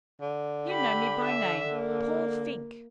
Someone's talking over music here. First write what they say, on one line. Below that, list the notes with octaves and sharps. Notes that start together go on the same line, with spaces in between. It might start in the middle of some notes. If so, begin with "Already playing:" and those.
You know me by name--Paul Fink.
D3
G4 B5
E5
A#3